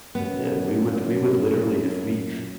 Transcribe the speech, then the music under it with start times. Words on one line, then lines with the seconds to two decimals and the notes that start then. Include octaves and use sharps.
Yeah, we would we would literally if we
0.15 F#2 B3